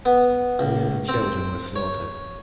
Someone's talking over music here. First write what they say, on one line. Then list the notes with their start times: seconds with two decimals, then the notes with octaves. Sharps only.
Women and children were slaughtered.
0.05 B3
0.59 C#2
1.09 C4
1.76 C#5